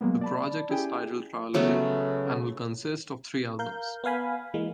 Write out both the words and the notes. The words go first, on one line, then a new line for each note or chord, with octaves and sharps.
The project is titled "Trilogy" and will consist of three albums.
F#3 G#3 A#3 B3
D5 A5 B5
C#4 E4 G4 G#4 G5 G#5
C#3 F#3 A3 B3
A#4 F5 G6
B3 B4 F5 G#5 B5
E3 G#3 A#3